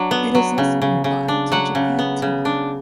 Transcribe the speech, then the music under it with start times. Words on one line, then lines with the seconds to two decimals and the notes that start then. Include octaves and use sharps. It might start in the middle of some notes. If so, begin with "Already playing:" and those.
It is also nearby to Japantown.
Already playing: F#3 D4
0.11 B3
0.35 F#3
0.58 C#3
0.82 C#3
1.04 C#3
1.28 D4
1.52 F#3 F#5
1.75 C#3
1.99 B3
2.22 C#3
2.45 D4